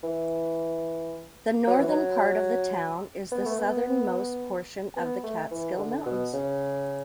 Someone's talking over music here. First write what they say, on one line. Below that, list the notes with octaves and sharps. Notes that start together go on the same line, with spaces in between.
The northern part of the town is the southernmost portion of the Catskill Mountains.
E3
F#3
E3
F#3
B3
A3
B3
B3
A3
E3
D3
B2
C#3